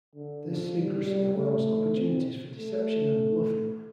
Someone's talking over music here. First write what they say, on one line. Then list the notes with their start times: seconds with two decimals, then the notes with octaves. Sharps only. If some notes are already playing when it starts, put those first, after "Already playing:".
This secrecy allows opportunities for deception and bluffing.
0.15 D3
0.46 F3
0.76 G3
1.06 G3
1.35 A3
1.96 C4
2.56 A3